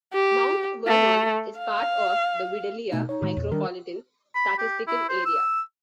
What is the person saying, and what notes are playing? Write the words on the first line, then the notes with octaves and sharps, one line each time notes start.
Mount Vernon is part of the Vidalia Micropolitan Statistical Area.
G4
A3
F5
B2 A3 D#4
D#4 C#5
A2 D#3 G#3
E2 A#2
D#3 G3 D4 A#4
B5
G4
E4
C5
E6